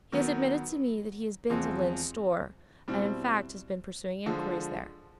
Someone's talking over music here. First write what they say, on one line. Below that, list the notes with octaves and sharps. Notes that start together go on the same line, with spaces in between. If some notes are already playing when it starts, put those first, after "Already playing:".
He has admitted to me that he has been to Lyne's Store and in fact has been pursuing inquiries there.
D#3 F#3 B3
E2 C3 F3 G#3
B2 G3 C4 E4
D3 F3 G#3